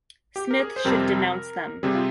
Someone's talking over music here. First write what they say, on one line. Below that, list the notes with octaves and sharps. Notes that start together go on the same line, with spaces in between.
Smith should denounce them.
G4
A#4
G#4
C5
F2 C3 G3 C4 A#4
C3 G3 C4 G#4
F4